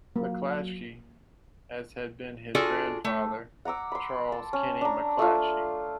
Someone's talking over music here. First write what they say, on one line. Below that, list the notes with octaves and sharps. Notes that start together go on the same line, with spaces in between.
McClatchy, as had been his grandfather, Charles Kenny McClatchy.
F#3 A#3
D4 F4 F#4 G#4 A4 D5
A3
F#5 A#5 D6 E6
B5 C6
A5
C#4
D4 A#5
A3 F4